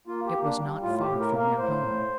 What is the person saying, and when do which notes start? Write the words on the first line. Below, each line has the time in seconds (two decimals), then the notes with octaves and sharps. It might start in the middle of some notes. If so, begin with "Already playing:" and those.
It was not far from their home.
0.07 A#3 F4
0.26 G4
0.32 A#3
0.44 D4
0.57 G3
0.82 A2 F4
1.01 G4
1.07 A2
1.19 A#4
1.32 A#3
1.38 A#4
1.57 A2 C5
1.82 A2